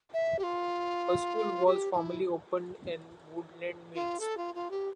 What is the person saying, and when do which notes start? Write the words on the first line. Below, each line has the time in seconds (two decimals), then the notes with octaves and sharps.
A school was formerly opened in Woodland Mills.
0.14 E5
0.39 G4
0.43 F4
1.66 G4
1.92 F4
1.96 E4
3.95 F4
4.20 A4
4.37 F4
4.55 F4
4.71 G4